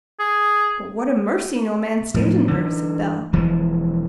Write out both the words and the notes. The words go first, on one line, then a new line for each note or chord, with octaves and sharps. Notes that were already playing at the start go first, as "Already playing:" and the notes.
'But what a mercy no man stayed in her,' said Bell.
G#4
A2 F3 G#3
D3 E3
E1 E3 F3 G#3